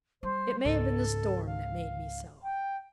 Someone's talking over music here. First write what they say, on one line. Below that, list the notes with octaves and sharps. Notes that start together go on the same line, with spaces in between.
It may have been the storm that made me so.
G3 C5
C#2 G#2 A4
F5
G5